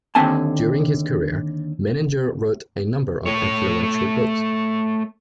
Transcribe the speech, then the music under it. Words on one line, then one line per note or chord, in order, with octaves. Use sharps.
During his career, Menninger wrote a number of influential books.
D#2 D3 C4 G#5 A5
A3 C#5